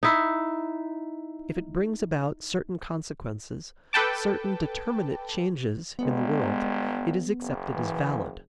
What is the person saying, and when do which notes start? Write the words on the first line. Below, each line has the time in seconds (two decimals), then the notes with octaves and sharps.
If it brings about certain consequences, certain determinate changes, in the world, it is accepted as valid.
0.03 D#4 E4
3.93 A4 B4 G5 A5 D6
5.99 G1 G#3 B3
7.42 F#1
7.73 E3